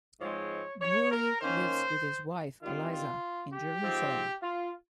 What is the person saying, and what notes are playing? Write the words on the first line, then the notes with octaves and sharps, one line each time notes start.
Gouri lives with his wife, Aliza, in Jerusalem.
G#2 F3 G#3 C4 C#5
C#5
A#4
D#3 A#3 C#4 C5
D#3 G3 C4 F4
F4
G4
G#2 F3 C4
F4